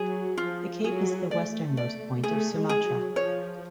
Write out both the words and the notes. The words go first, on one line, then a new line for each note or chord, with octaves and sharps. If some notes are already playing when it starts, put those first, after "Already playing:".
The cape is the westernmost point of Sumatra.
Already playing: F#3 G#4
F3 F4
F#3 G#4
A3 D5
D5
A3 G#4
G#3
G#4
F#3
F3 C#5